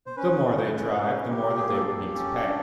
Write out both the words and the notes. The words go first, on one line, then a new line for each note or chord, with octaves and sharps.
The more they drive, the more that they would need to pay.
C5
C#4 B4
C#4
C#4
C#4
G4 A#4
B4
A#4
A#3 G#4
A4
G4
C#4
D4